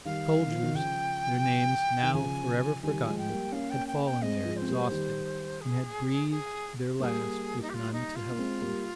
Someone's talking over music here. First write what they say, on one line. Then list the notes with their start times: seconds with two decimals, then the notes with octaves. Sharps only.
Soldiers, their names now for ever forgotten, had fallen there exhausted and had breathed their last with none to help them.
0.05 D#3 G3 F5
0.40 D#3
0.51 F3
0.63 D#3
0.75 C#3 F3 G5
2.03 D#3
2.13 C#3 F3 G#5
2.83 D#3 G3 G#5
3.06 F3 G#3
3.18 G5
3.29 G3 A#3
3.52 A#3 C#4 F5
3.70 G5
3.87 G5
4.05 G5
4.22 G#3 C4 D#5
4.45 F3 G#3
4.56 C5
4.62 C4
4.68 G3 A#3
4.92 D#3 G3
5.61 G#4
6.30 G#4
7.00 G3 A#3 C5
7.03 G#4
7.62 D#4
7.69 G4
7.74 F4
7.93 D#4
8.15 F4
8.31 A#3
8.38 G#3 C4
8.62 G3 A#3